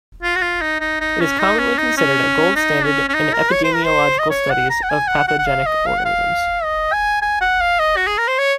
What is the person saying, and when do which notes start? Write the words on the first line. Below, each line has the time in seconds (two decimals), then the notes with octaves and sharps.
It is commonly considered a gold standard in epidemiological studies of pathogenic organisms.
0.23 F4
0.36 F#4
0.42 F4
0.62 D#4
0.81 D#4
1.00 D#4
1.20 C#4
1.39 D#4
1.59 C#4
1.78 D#4
1.98 C#4
2.56 D#4
2.85 C#4
3.09 C#4
3.14 D#4
3.34 A#4
3.52 C#5
3.64 C5
3.75 A#4
3.85 C5
4.19 D#5
4.31 C#5
4.51 F#5
4.70 A#5
4.83 F#5
4.90 G#5
5.08 F#5
5.28 F#5
5.39 F#5
5.47 F5
5.66 D#5
5.87 F5
5.99 F#5
6.05 F5
6.64 D#5
6.93 G#5
7.22 G#5
7.41 F#5
7.61 F5
7.80 D#5
7.97 F#4
8.07 G#4
8.18 A#4
8.28 C5
8.39 C#5